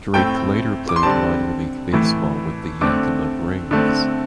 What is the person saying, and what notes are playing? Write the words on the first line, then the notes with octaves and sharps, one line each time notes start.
Drake later played minor league baseball with the Yakima Braves.
A2 A3 C4 G5
D6
C6
D3 G3 C4 A5
A2 E3 A3
D3 A3 C4 D6
D3 A3 C4